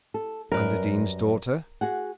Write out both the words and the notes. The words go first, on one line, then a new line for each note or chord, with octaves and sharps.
"And the Dean's daughter?"
A4
F#2 G3 A#4 B4
F#4 G#4 F#5